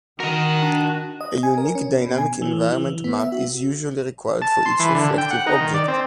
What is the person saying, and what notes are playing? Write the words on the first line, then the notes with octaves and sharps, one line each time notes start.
A unique dynamic environment map is usually required for each reflective object.
D#3 F#4 A#4 D#5
D4
D#5
G#5
A#4
C#4
B2
G#5
E3
E3
E3
B3
E5
F#4
A5
C6
E3
D3
G5
F#5
D#4
D#3
D5
C4